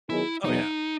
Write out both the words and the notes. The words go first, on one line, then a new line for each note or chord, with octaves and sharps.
Oh, yeah,
D#3 F#3 B3 D#4 E4 G#4
E2 B2 F#3 D#4